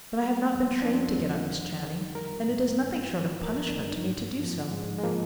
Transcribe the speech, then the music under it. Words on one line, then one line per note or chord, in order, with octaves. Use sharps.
"But I have not been trained to get up, Miss Channing; and it is nothing short of punishment to me to do so."
G3
F2
D4
F2 C4
F2
D#3
D#3
G3 A#4
G#2
G2
F3
G2 A#4
D4
G2 D#4
G#2
F3
G#2 G#3
G#3
F3 A#3